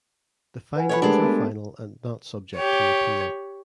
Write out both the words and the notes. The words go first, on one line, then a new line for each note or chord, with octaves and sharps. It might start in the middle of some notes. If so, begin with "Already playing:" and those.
The findings are final and not subject to appeal.
B4 F#5 G#5
A4 B4 C#5 D5 F#5 B5
G#3 A3 D4 G4 A#4
B3 A4
G4 C#5